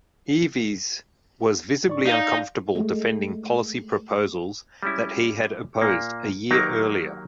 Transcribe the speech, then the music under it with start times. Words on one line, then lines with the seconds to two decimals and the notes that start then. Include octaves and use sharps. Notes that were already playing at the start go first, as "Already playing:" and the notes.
Eves was visibly uncomfortable defending policy proposals that he had opposed a year earlier.
1.88 G#2 D5 C#6
2.06 D#4 D5 F5 G6
2.75 G#3 A3
4.83 G3 G#3 C#4 E4
5.82 A#2 A#3
6.51 D#3 F#3 A#3 D#4 G4 A#4